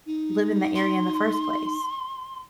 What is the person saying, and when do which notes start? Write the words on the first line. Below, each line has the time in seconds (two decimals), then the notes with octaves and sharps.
live in the area in the first place?
0.06 D#4
0.75 C6